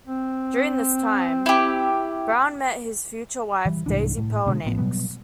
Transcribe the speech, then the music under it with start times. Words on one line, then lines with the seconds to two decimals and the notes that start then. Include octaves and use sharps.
During this time, Brown met his future wife, Daisy Pearl Nix.
0.07 C4
1.46 E4 G4
3.65 E3 G3
3.86 C2 G#2 E3 D4
4.18 A2
4.46 B2 D3 G#3
4.65 A1 A2 F3 B3
4.78 B2 F#3 G3 B3